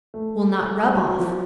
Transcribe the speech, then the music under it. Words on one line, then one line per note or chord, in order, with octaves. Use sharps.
Will not rub off.
A3
G3
F#3
F#3
F3